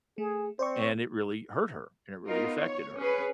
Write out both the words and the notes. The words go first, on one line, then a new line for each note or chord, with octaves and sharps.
and it really hurt her, and it really affected her,
A3 G#4
C4 C5 D5 C#6
B3 D#4 F4 A#4
C#5
C#4 G#4 B4